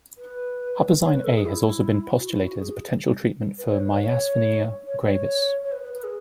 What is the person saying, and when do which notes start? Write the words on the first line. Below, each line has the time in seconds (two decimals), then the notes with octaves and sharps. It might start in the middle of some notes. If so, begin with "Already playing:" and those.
Huperzine A has also been postulated as a potential treatment for myasthenia gravis.
0.18 B4
1.03 C#5
1.14 B4
1.24 A4
1.35 G#4
1.46 E4
2.20 F#4
2.30 E4
2.45 F#4
2.59 G#4
3.58 B4
3.69 C#5
3.80 B4
3.91 C#5
4.01 C#5
4.87 C#5
5.04 C#5
5.64 C#5
5.72 B4
5.82 B4
5.93 B4
6.04 G#4